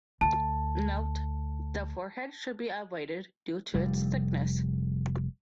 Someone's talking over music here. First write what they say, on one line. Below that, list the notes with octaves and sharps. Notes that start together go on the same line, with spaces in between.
Note: The forehead should be avoided due to its thickness.
D2 A5
F1 G3